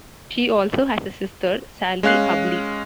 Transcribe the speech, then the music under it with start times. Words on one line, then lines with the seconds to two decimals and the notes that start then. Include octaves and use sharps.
She also has a sister, Sally Hubley.
2.03 G#3 C#4 F5 F#6 C7